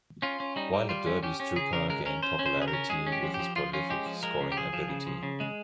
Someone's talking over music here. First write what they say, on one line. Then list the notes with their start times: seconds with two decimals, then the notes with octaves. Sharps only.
While at Derby Strupar gained popularity with his prolific scoring ability.
0.22 C#4 F4
0.40 C#4
0.56 G3 D#4
0.73 G3
0.89 G3 F4
1.06 C#4
1.23 C#4 G4
1.40 C#4
1.56 C#3 G#4
1.73 C#3 A#4
1.90 G#3 A#4
2.06 C#4 A#4
2.23 C#4 C5
2.39 C#4
2.46 C5
2.57 C#3
2.62 G#4
2.68 A#4
2.73 C#4
2.89 G#3 G#4
3.06 C#4
3.12 G4
3.23 F3
3.34 G4
3.39 F3
3.56 F3 F4
3.73 C#4 F4
3.90 G#3 G4
4.06 F3
4.23 G#3 A#4
4.40 C#3
4.52 G4
4.57 F3 G#4
4.73 F3
4.89 C#3
5.07 F3
5.23 C#3
5.40 G#3